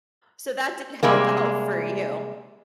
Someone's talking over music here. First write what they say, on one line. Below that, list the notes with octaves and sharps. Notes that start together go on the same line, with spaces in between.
so that did help out for you.
C3 G3 G#3 A#3